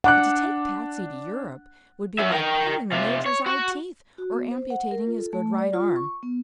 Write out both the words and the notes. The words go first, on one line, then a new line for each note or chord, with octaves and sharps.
But to take Patsy to Europe would be like pulling the Major's eye teeth or amputating his good right arm.
D4 F#5 D6 F#6
F#3 E5
A#4 G5
C3 F4
C#5
F#4
F#4
B3
C5
F#5
A#4
F4
A4
A3
D5
F4
C#6
B3